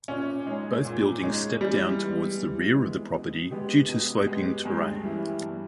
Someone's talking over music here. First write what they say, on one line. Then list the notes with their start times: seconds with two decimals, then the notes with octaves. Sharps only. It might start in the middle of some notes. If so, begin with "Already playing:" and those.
Both buildings step down towards the rear of the property due to sloping terrain.
0.08 A#2 C#4
0.47 G#3 D#4 G#4 C#5
0.85 A#2
1.23 G#3 D#4 G#4 C#5
1.61 E3 G3
1.99 G#3 B3
2.37 E3
2.75 G#3 B3
3.13 B2
3.51 G#3 B3 G4
3.89 B2
4.27 G#3 B3 G4
4.65 G2 G#3
5.03 E3 G3 B3 E4
5.41 G2